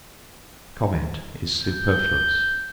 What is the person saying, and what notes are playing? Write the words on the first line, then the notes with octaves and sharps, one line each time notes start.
Comment is superfluous.
G6